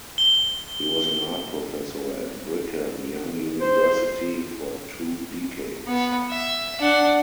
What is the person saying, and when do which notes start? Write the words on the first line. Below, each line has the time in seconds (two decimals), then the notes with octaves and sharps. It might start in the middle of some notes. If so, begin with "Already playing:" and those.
He was an art professor at Brigham Young University for two decades.
0.18 G7
3.61 C5
5.87 B3
6.30 E5
6.80 D4 F#5